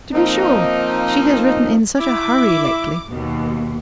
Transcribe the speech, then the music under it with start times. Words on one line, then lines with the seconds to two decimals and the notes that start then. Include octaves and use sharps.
To be sure, she has written in such a hurry lately.
0.14 F3 A#3 C4 D#4
2.00 E4 D6
3.11 D#2 B2